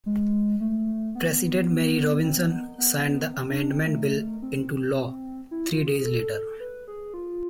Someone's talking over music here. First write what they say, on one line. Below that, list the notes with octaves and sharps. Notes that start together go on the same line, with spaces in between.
President Mary Robinson signed the amendment bill into law three days later.
G#3
A3
B3
B3
C4
B3
B3
B3
C4
D4
C4
A3
C4
E4
F4
G#4
A4
B4
G#4
F4